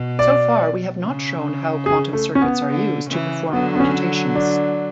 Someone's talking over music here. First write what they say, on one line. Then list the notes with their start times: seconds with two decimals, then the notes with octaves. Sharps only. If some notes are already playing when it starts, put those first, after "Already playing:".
So far we have not shown how quantum circuits are used to perform computations.
Already playing: B2
0.19 D5
1.02 C#3
1.86 G#4
2.13 A3
2.35 C#4
2.41 B3
2.69 D3
3.10 C#3 E3
3.52 D3 F#3 B3
3.75 B3
3.80 C#4
4.35 D4